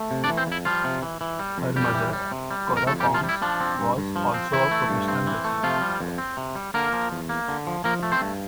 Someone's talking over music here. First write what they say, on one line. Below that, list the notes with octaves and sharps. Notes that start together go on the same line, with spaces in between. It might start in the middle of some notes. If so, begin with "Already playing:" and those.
Her mother, Cora Combs, was also a professional wrestler.
Already playing: A3
C3
D4 D5
E3
C4 C5
F2 E4
F3 G3 F4
C3
E3
E3
G3
F2
F2 G3 G4
E3
G3
C3
G3
F2
A#4
F2 A3 A4
G3 G4
C3
F3 F4
G3
E4
F3 D4
C4
G2
G2
F3
C4
E3 E4
A3
G2
C4
E3
A3
C3 F3 F4
G3
F2
C4
C3
G3
D3 A#3 A#4
F3
E2
A#3
D3
F3
F3 A#3 A#4
A3
C4 C5
G2